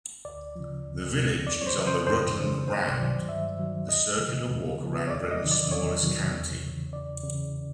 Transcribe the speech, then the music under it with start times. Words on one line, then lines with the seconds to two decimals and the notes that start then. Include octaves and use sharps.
The village is on the Rutland Round, the circular walk around Britain's smallest county.
0.25 D2 D5
0.56 C#3 F3
0.86 D2
1.16 C#3 F3
1.47 F2 D5
1.61 C#5
1.67 C5
1.77 C#3 E3
1.87 C5
2.07 F2 C5
2.37 C#3 E3 C5
2.68 G2 C5
2.88 D5
2.98 D#3 F#3
3.29 G2 E5
3.59 D#3 F#3
3.89 D#2 D#5
4.20 C#3 F3
4.50 D#2
4.80 C#3 F3
5.07 C#5
5.10 E2 D5
5.31 D#5
5.41 C3 D#3 F#3
5.51 D5
5.71 E2 C#5
6.02 C3 D#3 F#3
6.32 E2
6.63 C#3 E3
6.93 E2 D5
7.23 C#3 E3